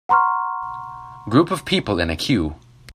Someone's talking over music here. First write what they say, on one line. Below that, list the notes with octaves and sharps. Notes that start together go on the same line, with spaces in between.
Group of people in a queue.
F#5 A#5 C6 C#6 F6